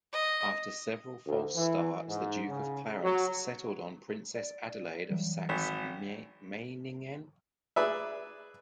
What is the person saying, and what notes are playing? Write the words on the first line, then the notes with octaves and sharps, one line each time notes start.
After several false starts, the Duke of Clarence settled on Princess Adelaide of Saxe-Meiningen.
D#5
D2
E3
G#2
C#3
F#3
D5
E3 F#3 G3
G#1 G#5 B6
G#4 B4 D5 E5